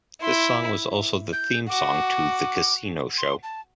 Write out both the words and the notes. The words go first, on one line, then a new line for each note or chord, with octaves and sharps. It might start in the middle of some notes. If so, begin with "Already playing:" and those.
This song was also the theme song to "The Casino" show.
E4 C6
G6
F#4 D6
C6
A5